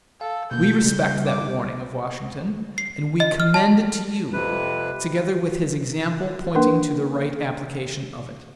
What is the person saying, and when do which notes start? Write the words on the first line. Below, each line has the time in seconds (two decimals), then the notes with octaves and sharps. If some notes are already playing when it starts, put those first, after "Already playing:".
We respect that warning of Washington, and we commend it to you, together with his example pointing to the right application of it.
0.21 A4 F5
0.51 B2 A#3 G6
0.82 C#3 G3
1.26 D6
2.78 C7
3.20 D#5
3.40 F6
3.54 A5
4.33 F2 C3 B4
6.55 A#3 D4 A#4 B4